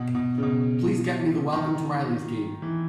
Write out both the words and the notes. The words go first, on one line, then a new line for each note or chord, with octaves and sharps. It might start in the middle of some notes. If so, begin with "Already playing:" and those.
Please get me the Welcome to the Rileys game.
Already playing: B2
B2
C#3
B2
D#3
E3